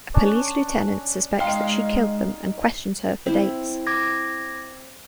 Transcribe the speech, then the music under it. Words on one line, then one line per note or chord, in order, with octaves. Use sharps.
A police lieutenant suspects that she killed them and questions her for days.
C#4 D4 C#5
G#3 D#4 D#5 F5 G5 C6
C4 E4
D6 G#6 A#6